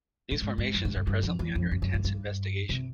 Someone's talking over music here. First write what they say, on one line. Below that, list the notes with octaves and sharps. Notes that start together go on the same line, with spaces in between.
These formations are presently under intense investigation.
A2
G#2
G#2
F#2
G#2
G2
G2
F2
E2
F2
F#2
F#2
G2
G2
C3